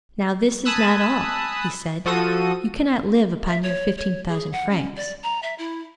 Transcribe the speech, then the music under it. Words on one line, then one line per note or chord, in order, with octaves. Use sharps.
"Now this is not all," he said; "you cannot live upon your fifteen thousand francs."
G#5 A5 B5 D#6 E6 F#6
F3 F#4 A4 D#6 D#7
E5
C#5
C#5
G#4
F#5
C#4
D5
A#5
E5
E4